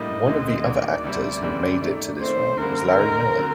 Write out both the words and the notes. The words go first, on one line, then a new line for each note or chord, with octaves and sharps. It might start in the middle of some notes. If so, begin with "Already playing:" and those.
One of the other actors who made it to this round was Larry Miller.
Already playing: A2 G3 A#3 D4 D#5
D2 D3 A3 C4
D#2 D#3 F#3 A#3 F#4 D5
D2 C3 G3 C4
F#2 D3 G3 C4
D#3 A3 D#4
D#3 A3 C4 C5
F#2 D3 G3 A#3 A#4
D#2 D3 A3 D#4
D3 F#3 C4